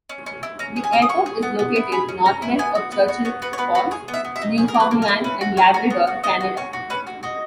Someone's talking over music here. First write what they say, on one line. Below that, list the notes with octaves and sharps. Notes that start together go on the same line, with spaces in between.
The airport is located northwest of Churchill Falls, Newfoundland and Labrador, Canada.
C#4
C#4
E4
C#4 A#5
G#4
G#5
C#4 A#5
D#6
G#4 C#6
G#4
B3
B3
E4
G#4 B5
C#4
C#4 A#5
E4
B3 G#5
F#4
B3 B4
F#4
B3 C#5
F#4 B4
C#5
B3 B4
F#4 B4
G#4 C#5
B3
E5
B3
E5
D#4
G#4
A#4
A#3
B4
A#3
A#4
E4
C#4 B4
F#4
C#4 C#5
F#4
B3
F#4
B3 D#5
F#4
C#4 C#5
F#4
C#4 B4
F#4
F#4 D#5